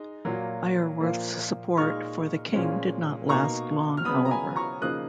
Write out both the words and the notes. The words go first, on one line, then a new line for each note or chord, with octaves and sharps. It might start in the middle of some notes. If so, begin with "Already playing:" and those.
Iorwerth's support for the king did not last long however.
Already playing: G#3 D#4
A#2 F#3 A#3
A#2 F3 A#3
A#2 G#3 D#4 C#6 F6
A#2 F3 G#3 C#4
B2 A#3 D#4 A#5 C#6
F6
C#3 F#3 B3 B5 D#6
A#5
G#5 B5
A#5 C#6
C#3 F3 A#3 D#4 D#6 F#6